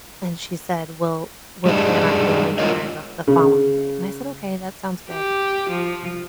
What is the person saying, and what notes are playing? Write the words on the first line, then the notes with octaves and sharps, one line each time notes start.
and she said, "We'll we'll plan our family dinner the the following day," and I said, "Okay, that sounds good."
G3 G#3 D4 D#4
G#3 F4 A#4 C#5 D#5
C#3
G4
F3